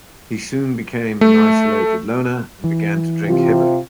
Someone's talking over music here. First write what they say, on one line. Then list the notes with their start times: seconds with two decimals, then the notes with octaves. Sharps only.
He soon became an isolated loner, and began to drink heavily.
1.21 A3
2.64 E3
3.27 C3 F4